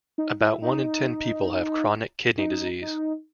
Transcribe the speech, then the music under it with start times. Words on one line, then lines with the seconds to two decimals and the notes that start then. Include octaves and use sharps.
About one in ten people have chronic kidney disease.
0.18 D#4
0.41 E4
0.62 D#4
2.38 D#4
2.82 D#4